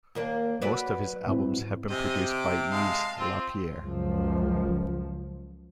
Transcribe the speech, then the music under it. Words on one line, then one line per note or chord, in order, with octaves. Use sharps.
Most of his albums have been produced by Yves Lapierre.
D#2 A#3 D4
F#3 B4 D5
G#2 C4 E4
C3 D#5 G#5
D6
G#3 F5 A5
C4 F4
C#2 F#2 F3